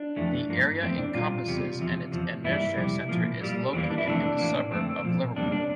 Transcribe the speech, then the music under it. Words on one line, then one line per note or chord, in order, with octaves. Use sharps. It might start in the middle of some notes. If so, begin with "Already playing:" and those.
The area encompasses and its administrative centre is located in the suburb of Liverpool.
Already playing: D4
F2 E3 A3
G2 F3 A#3
F2 E3 A3 C4
D4
A#2 G3 A#3 F4
E2 C3 G3
E2 C3 F3
E2 C3 F3
G2 E3 G3 A#3 E4
F2 C3 G3
A#2 F3 A#3
A#2 G3 A#3
E2 E3 G3 A#3 C4
D4
E4
F2 C3 E3 A3 D4
A2 E3 A#3
F2 D3 A3 C4
A#2 F3 A#3
E2 C3 G3 A#3 D4
D4